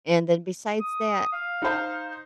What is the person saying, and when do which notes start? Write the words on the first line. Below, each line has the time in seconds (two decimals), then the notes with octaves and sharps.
And then besides that,
0.80 D#6
1.33 F5
1.62 D#4 C5